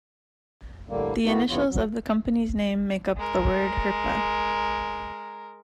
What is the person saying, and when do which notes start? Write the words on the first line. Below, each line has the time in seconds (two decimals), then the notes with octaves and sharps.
The initials of the company's name make up the word "Herpa".
0.89 A2 D3 G3 A#3
1.26 A2 D#3 A#3 B3 D#4 F#4
1.50 G2 C3 E3 B3 F4 C#5
1.70 F#3
3.17 G#3 A#4